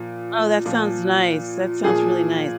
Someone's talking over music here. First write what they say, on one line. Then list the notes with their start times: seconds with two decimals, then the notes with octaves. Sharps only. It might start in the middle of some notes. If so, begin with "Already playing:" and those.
Oh, that sounds nice, that sounds really nice.
Already playing: A#2 F3
0.66 A#2 F3
1.84 A#2 F3 G#4